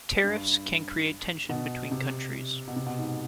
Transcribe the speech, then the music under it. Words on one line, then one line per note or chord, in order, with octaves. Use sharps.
Tariffs can create tension between countries.
G2
B2
C3
B2
C3
B2
G#2